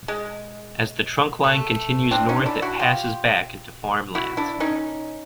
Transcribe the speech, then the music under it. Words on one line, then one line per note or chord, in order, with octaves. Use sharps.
As the trunkline continues north, it passes back into farm lands.
G#3
A3
C4 D4
C#4 D#4
D4 E4
E4 F#4
F4 G4
E4 F#4
D4 E4
C#4 D#4